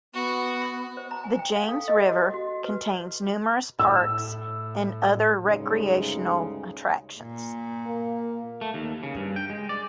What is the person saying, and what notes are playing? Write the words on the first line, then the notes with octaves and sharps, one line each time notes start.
The James River contains numerous parks and other recreational attractions.
B3 F#4
C5
A#5
G#5
G5
F5
A4
D#5
F#4
F#4
F#4
B4
A2 E6
D2 G2 C#3 G#3 D#4 G#4
A#2
A#3
A3
D#2
C#3
G2
G5
G#3
D5